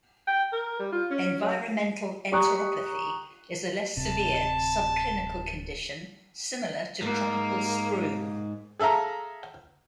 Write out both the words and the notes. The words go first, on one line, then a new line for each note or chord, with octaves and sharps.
Environmental enteropathy is a less severe, subclinical condition similar to tropical sprue.
G5
A#4
G3
F4
C#4
F#3
G4 D5 A#5 C#6 D#6 F#6
D1 C3 A5
G#2 A#3
G#4 A4 E5 F5 A#5